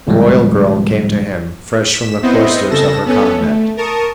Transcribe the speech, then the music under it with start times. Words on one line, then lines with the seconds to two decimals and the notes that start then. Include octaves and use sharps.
The royal girl came to him fresh from the cloisters of her convent.
0.07 D2 A2 C3 F3 G3 G#3
1.86 B6 E7
2.22 B3 C4 E4 C5 D#5
2.70 C#3 A4 A#6 E7
3.05 B3 C#4 A4
3.38 A3
3.77 A#4 A5 C#6 D#6